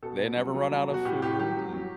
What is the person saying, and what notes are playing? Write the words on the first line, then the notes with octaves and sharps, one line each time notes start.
they never run out of food and
B2 A4
B2
F#3
F#3
F#3
B2
F#4
A2 G4
A2 G4
F#3 G4
F#3
F#3